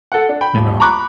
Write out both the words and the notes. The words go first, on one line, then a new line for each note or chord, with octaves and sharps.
you know,
A4 F#5
D4
G5 B5
D#1
A#5 B5 C#6 D6 F#6